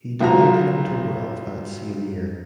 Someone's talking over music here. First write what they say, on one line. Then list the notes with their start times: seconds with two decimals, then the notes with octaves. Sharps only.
He died in October of that same year.
0.20 B1 F4 F#4 A#5